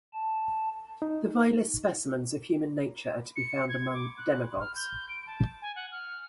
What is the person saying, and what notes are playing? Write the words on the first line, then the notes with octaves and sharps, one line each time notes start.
The vilest specimens of human nature are to be found among demagogues.
A5
D#4
C#7
G#6
D6
F#6
F6
G6
D7
A5
G#5
F#5
F6